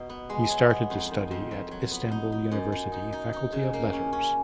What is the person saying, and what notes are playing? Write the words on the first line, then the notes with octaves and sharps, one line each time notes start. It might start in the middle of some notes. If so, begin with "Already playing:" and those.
He started to study at Istanbul University Faculty of Letters.
Already playing: B2 D#4
B3
G#3
F#3
B3
F2
D#3
F2
F2
F#3
B3
D#4
D#4
F#2
F#2
D#4
D#4
D#4
C#3
A#3
C#4
C#4